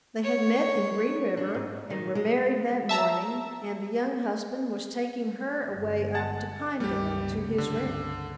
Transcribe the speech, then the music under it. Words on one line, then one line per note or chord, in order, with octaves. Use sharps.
They had met in Green River and were married that morning, and the young husband was taking her away up to Pinedale to his ranch.
C#5
D4
G#2
D#3
G#3
E5 A5 A#5 E6
G1
F#5 A5 A6
G1 C#2 G3 G4
D3